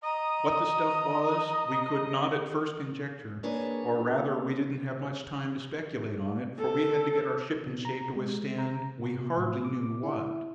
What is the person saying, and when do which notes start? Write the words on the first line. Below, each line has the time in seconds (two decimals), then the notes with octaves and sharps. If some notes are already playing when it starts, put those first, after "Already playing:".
What the stuff was we could not at first conjecture, or rather, we didn't have much time to speculate on it, for we had to get our ship in shape to withstand we hardly knew what.
0.03 D#5 A#5 D#6
3.43 A#3 D4 G#4 B4 C#5
6.59 A4
7.67 B2
7.85 A#5
8.15 G#3
8.58 A#5
8.99 C3
9.38 A2
9.65 D6
10.03 E4